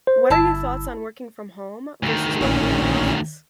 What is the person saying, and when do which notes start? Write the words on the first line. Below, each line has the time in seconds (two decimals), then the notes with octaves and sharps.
what are your thoughts on working from home vs. working in an office?
0.07 C5
0.30 G1 E4 A5 E6
2.03 D2 D#3
2.40 A#1 A#2 C#4